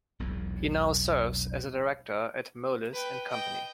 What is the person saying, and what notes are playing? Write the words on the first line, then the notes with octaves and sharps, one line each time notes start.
He now serves as a director at Moelis and Company.
E1 B1 E2 A#2
B4 G5
D#5 G5